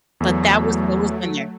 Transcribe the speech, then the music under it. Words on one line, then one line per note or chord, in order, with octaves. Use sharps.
B ut that was what was in there.
E2 F#3 A3